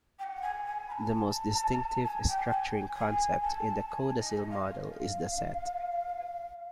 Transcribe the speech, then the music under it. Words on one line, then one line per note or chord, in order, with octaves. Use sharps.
The most distinctive structuring concept in the Codasyl model is the set.
G5
F#5
G#5
G#5
B5
A5
A5
G#5
G5
A5
G#5
G#5
A5
A5
G#5
D#5
F5